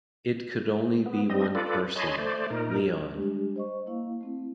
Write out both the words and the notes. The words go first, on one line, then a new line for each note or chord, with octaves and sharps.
It could only be one person — Leon.
B3
G3 C4 D#5
F4 A4 B4 D5
C#5 D#5 G#5 A5 B5 C6
A3 C5 D5
A#2 D#4 A#4
G3 G#3 D4 G4
C5 D#5 C#6
A#3 E4 F5
A3 C4 E4